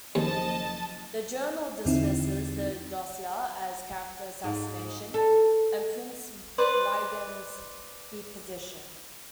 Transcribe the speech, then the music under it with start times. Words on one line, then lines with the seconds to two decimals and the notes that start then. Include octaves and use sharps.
The "Journal" dismisses the dossier as character assassination and prints Wigand's deposition.
0.15 F#1 D#2 F3 D#5 A5
1.85 E2 D3 C4 D#4 E4
4.44 G#2
5.14 A4
6.58 B4 C5 D5